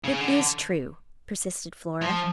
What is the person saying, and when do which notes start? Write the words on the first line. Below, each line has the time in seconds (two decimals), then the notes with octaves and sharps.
"It is true," persisted Flora.
0.04 C#3
0.21 D3
2.02 F3